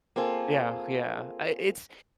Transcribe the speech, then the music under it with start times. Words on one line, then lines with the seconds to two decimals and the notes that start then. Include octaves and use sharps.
Yeah yeah, I it's
0.16 A#3 C4 F4 G#4 A4